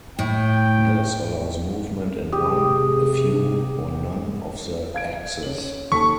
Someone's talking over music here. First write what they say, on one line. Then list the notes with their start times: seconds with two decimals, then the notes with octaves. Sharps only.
This allows movement in one, a few, or none of the axes.
0.19 A2 G5
2.33 C3 G4 G#4 D#6
4.94 F5 G#6 D7
5.43 C#4 F#7
5.92 D#2 A4 C#6 B6